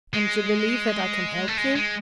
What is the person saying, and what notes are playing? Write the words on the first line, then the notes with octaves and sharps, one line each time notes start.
"And you believe that I can help you?"
G#3
A3
G#3
G#3